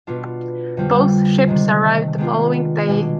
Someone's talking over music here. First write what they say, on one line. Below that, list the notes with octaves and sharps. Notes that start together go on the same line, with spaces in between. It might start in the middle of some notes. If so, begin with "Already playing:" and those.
Both ships arrived the following day.
B2 B3 D4 F4
F2 D3 G3 C4 F4
C3 D#3 G#3
D#3 G#3 B3 D4 F4
B2 G#3 D4